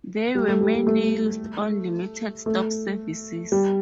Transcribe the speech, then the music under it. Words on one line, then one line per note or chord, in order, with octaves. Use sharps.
They were mainly used on limited-stop services.
G3
A3
G3
G3
A3
A3
G3